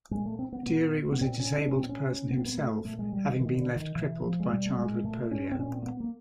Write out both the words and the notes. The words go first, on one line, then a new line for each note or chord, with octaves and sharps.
Dury was a disabled person himself, having been left crippled by childhood polio.
A#2 G#3
A3
C4
B3
A#2 B3
B3
A#2 C4
C#4
D4
C#4
A#2 C4
C#4
A#2 B3
C4
B3
A3
A#2 A3
G#3
G3
D#3
A#2 D#3
D3
D#3
B2 E3
F3
G#3
B2 G3
A3
G#3
A#2 A3
C#4
C4
A#2 C#4
C4
A#3
B3
A#3